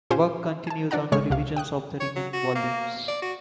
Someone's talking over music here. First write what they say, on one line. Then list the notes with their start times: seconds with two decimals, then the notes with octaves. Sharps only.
Work continues on revisions of the remaining volumes.
0.10 A#2 C#4 F4 G4 C5 G#5
0.67 G#5 A5
0.91 E3 D4 D5 F#5 A#5
1.12 G#1 C#3 G#3 C#5 C#6 F6
1.30 C#2 C3 F5
1.56 G5 D#6 F#6
2.00 C#5
2.16 F#3
2.33 F#4
2.55 A#3
3.08 D5
3.22 F#4